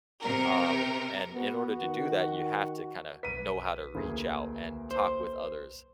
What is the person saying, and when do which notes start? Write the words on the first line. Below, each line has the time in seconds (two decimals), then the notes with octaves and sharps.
um, and in order to do that you have to kinda know how to reach out, and talk with others,
0.19 C3 A#4
1.34 B3 F#4
1.79 D#3
3.23 B1 B4 B6 D#7
3.95 D2 A#3 G#4
4.91 C5